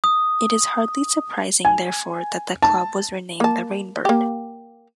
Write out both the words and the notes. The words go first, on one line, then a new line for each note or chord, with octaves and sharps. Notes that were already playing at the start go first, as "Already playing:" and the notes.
It is hardly surprising therefore that the club was renamed the 'rain bird'.
D#6
G#5
A5
A#3 A5
A#3 G4